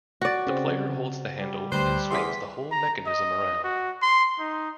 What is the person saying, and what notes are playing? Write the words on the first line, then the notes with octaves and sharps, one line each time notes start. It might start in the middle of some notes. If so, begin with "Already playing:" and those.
The player holds the handle and swings the whole mechanism around.
F#4 D5
C#3 C4
G3
D2 G3 B4 C5
E2 C3 C6 B6
A#5
D#5
F#4
C6
D#4